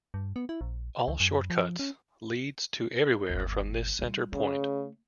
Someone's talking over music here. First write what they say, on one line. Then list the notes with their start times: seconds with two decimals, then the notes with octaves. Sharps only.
All short-cuts leads to everywhere from this center point.
0.14 G2
0.36 B3
0.49 E4
0.61 A#1
1.08 C#2
1.20 F#2
1.50 F3
1.79 C#4
3.30 G1 D#2
3.99 G3 F4
4.33 C#3 A3